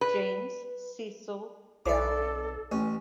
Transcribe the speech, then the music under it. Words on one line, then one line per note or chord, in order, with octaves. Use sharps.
James Cecil Baring.
B4
B1 A4 D5 D6
A1 C#4